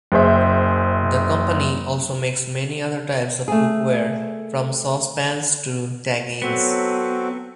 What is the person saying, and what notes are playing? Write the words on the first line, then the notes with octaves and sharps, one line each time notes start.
The company also makes many other types of cookware, from sauce pans to tagines.
F#1 G#4 C5 E5
A3 G#4
F#3 B3 C4 F#4 A4